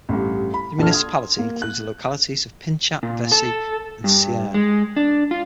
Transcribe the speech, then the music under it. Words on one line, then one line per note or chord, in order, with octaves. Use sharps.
The municipality includes the localities of Pinchat, Vessy and Sierne.
A1 G2
B5
A#1 D4 A4 F6
C6 D#6 F6 G#6
A#3
F#6
A#2
A4
G2
G#3
D4
F4